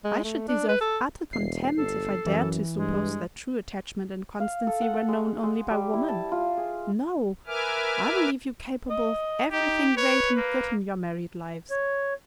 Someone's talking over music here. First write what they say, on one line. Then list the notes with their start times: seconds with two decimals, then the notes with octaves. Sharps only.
I should deserve utter contempt if I dared to suppose that true attachment and constancy were known only by woman. No, I believe you capable of everything great and good in your married lives.
0.04 G#3
0.24 A3
0.48 D4
0.68 B4
0.81 A4
1.33 E1 C7
1.77 G1 A4
2.26 F#2 E3
2.77 G2 G#3
4.40 F5
4.67 A4
4.82 F#5
4.94 A5
5.09 G#3
5.43 G#3
5.71 G3
5.94 E4
6.09 A5
6.32 F4
6.57 G#4
7.47 A#4 B4 E5 G#5 D6 F6
8.90 D#5
9.52 D#4 G4
9.97 B4 C#5
10.37 A#3
11.71 C#5